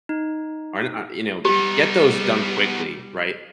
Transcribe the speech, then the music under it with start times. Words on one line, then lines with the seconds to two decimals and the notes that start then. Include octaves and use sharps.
Aren't I you know, g get those done quickly, right?
0.09 D#4
1.45 G3 B3 D#4 G4